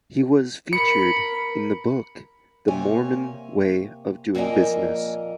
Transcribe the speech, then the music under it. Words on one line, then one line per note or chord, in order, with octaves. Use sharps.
He was featured in the book The Mormon Way of Doing Business.
A#4 B5 C#7
C3 A#3 C#5 G#5
F2 A#2 A#3 A#4 D#5 G#5